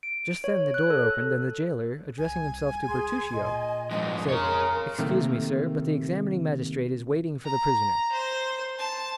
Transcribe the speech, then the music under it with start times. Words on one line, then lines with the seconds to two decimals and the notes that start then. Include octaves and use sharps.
Just then the door opened, and the jailer, addressing himself to Bertuccio, said,--"Excuse me, sir, but the examining magistrate is waiting for the prisoner."
0.03 D7
0.44 C#5
0.74 F#6
0.90 A4
2.18 C2 G#5
2.88 C#2 G#4 C6
3.34 A#2 D#5
3.91 F2 G#2 C6
4.29 F2 G#4 A#4 C#5
4.99 C3 D#3 A3 A#3
7.45 A#5
8.12 C5
8.79 A5